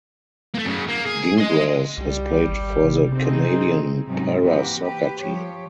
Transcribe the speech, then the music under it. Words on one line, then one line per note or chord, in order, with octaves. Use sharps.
Gingras has played for the Canadian Para Soccer Team.
A3 A#3
F#2 C#3
A#3
G#4
D#5 C6
C2 G3
G#1
C3
C4 D#4 G#4
G#2 C3 F#3 G3 C#4 D#4
E3 A#3 C4 F#4 G4 B4
G4 B4
F3 G4 C#5